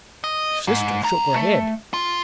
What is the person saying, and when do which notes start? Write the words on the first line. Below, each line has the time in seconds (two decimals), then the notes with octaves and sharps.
My sister shook her head.
0.24 D#5
0.67 G#2
1.03 D2 A#5
1.36 A3
1.94 F4